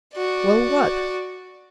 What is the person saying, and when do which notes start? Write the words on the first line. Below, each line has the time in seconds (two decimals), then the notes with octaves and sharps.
"Well, what?"
0.15 F#4 D5